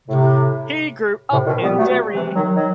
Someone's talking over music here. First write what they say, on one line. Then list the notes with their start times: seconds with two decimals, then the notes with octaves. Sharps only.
He grew up in Derry.
0.08 A2 C3
1.32 A2 C3
1.47 B2 D#3
1.63 G3 B3
1.78 F#3 A3
2.14 C3 E3
2.35 D#3 F#3
2.55 D#3 F#3